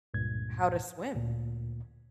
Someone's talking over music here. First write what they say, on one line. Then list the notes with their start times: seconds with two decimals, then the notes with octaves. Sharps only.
how to swim.
0.14 C#2 G2 A#2 G#6
1.15 D2 A#2